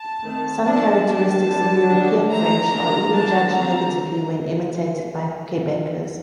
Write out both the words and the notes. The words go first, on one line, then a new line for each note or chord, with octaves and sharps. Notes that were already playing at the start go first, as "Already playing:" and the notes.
Some characteristics of European French are even judged negatively when imitated by Quebecers.
Already playing: A5
D#3 A3 C4
F3 A3 D4 A5
G3 A#3 D4 A5
D3 G3 C4
D#3 G3 D4
D3 F3 A3 A#5
D#3 A#3 D4
D3 F3 A#3 D4 A5
D3 F3 C4 A#5